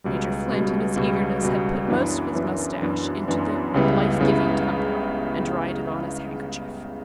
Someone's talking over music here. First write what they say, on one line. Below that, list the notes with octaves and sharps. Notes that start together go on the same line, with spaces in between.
Major Flint in his eagerness had put most of his moustache into the life-giving tumbler, and dried it on his handkerchief.
C#2 B2 G3
C#2 B2 G3
C#2 B2 G3
C#2 B2 G3
F#2 E3 B3 D4
F#2 E3 B3 D4
F#2 E3 B3 D4
F#2 E3 B3 D4
C#2 C#3 G3 B3 E4
C#2 C#3 G3 B3 E4